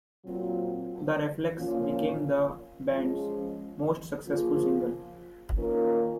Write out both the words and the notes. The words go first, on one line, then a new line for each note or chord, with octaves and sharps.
"The Reflex" became the band's most successful single.
A#2 F#3 C4 F4
A#2 F3 A#3 C#4 F4
F3 G#3 C#4
C#3 F3 A#3 F4 G#4
D#3 A#3 C#4 F4 A#4